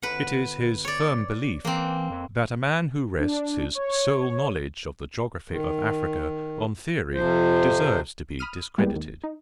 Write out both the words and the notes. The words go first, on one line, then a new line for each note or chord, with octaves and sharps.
It is his firm belief, that a man who rests his sole knowledge of the geography of Africa on theory, deserves to be discredited.
G1 B4 F#5
C#5 D5
E3 A#3 C4
F2
D4
C#5
D#3
F2 C3 F3 C5
B5 D#6 F6 D#7
G3 G#3 A#3 B3 E4 G4
D#2
D#4